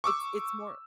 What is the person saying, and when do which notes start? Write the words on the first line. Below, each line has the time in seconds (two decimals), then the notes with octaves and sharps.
it's it's more
0.04 C#6 D6 E6